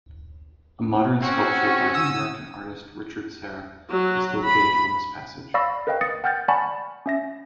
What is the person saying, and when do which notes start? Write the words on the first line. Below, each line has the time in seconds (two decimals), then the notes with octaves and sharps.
A modern sculpture by the American artist Richard Serra is located on this passage.
1.22 C4 C#4 F#4
1.94 D#6 E6
3.90 F#3
4.44 B5
5.54 D5 F5 B5 C#6 E6 A#6
5.87 A#4 B4 D#5 F5 G5
6.01 D#6 A6 A#6 C#7
6.24 F#5 G5 F6 G6 A6
6.48 D5 F#5 G#5 A5 B5 C#6
7.06 C#4 E5 A#6